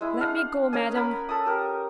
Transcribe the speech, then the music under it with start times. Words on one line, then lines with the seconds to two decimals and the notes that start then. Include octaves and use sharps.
"Let me go, madam."
0.01 G#3 E4
0.20 D4 F5 F#5
0.73 A#3 C#4 D#5 G#5
0.95 A#4 F#5 B5
1.29 A4 D#6
1.46 G4 A#4